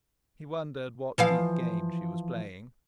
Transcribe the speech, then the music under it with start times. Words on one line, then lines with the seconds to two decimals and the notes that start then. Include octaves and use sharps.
He wondered what deep game she was playing.
1.18 E3 F3 F5